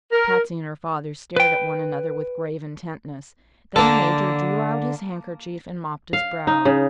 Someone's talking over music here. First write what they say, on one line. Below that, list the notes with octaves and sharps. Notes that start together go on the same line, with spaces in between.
Patsy and her father stared at one another with grave intentness. Then the Major drew out his handkerchief and mopped his brow.
A#4
B4 G5
D3 A#3 A4
F5
D#4
C#3